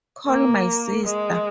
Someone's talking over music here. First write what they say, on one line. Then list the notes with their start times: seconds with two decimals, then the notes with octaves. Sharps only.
Call my sister.
0.27 A#3
1.04 G#3